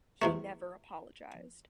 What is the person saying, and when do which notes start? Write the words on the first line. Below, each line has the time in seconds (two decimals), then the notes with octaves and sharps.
He never apologized.
0.22 E2 C3 A3